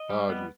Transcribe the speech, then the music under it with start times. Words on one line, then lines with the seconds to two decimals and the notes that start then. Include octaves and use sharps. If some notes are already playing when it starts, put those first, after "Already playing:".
Oh, geez
Already playing: D#5
0.10 G3
0.30 B3